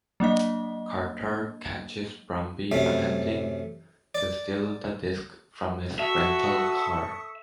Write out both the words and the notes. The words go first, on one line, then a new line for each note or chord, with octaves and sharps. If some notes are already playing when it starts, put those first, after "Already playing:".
Carter catches Brumby attempting to steal the disk from his rental car.
F#3 A#3 D4 D#5
F#2 C3 A3
D5
F#4 A4 E5 C#6 D#6